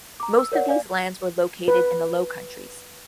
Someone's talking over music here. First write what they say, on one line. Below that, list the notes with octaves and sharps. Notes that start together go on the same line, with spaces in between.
Most of these lands were located in the Low Countries.
A#5 D6
E6
A#4 C#5 D5 F#5
D5 F5 G#5
B4